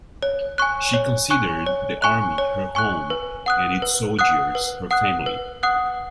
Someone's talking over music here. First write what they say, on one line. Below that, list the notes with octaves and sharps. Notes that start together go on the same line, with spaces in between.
She considered the army her home and its soldiers her family.
C#5
G#5 C#6 F#6
C#5
G#5 C#6 F#6
C#5
G#5 C#6 F#6
C#5
G#5 C#6 F#6
B4
F#5 D#6 F#6
B4
F#5 D#6 F#6
B4
F#5 D#6 F#6
B4
F#5 D#6 F#6